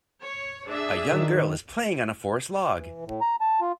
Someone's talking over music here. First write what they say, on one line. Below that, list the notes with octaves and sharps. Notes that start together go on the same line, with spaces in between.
A young girl is playing on a forest log.
C#5
D4 G#4 E5
D#3
E3
A2
A#5
A5
F4